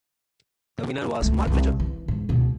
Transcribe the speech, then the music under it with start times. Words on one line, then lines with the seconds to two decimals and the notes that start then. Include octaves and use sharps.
The winner was Mark Fletcher.
1.22 C#2 A3
1.47 C2
1.80 E3
2.08 G#2 E3
2.29 C#2 B2